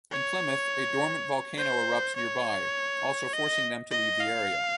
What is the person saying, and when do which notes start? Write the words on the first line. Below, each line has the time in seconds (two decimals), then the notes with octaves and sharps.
In Plymouth, a dormant volcano erupts nearby, also forcing them to leave the area.
0.11 C#5
1.57 C5
2.16 C#5
3.34 D#5
3.91 D#5
4.20 F5